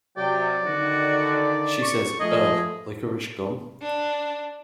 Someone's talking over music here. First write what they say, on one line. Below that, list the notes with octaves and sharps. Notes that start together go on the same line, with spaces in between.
She says, Ugh licorice gum?
C3 F#3 D5 G5
D3 D#3 F#4
C#6
F3 A3 G#4 D#5
D4